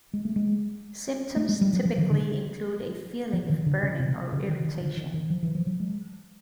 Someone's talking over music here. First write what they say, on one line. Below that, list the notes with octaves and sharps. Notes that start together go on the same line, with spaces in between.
Symptoms typically include a feeling of burning or irritation.
G#3
A3
G#3
A3
G#3
G3
F#3
F3
D#3
D3
F3
D#3
D3
C#3
C3
C#3
D#3
D#3
D3
D#3
D#3
F3
E3
F3
F#3
G#3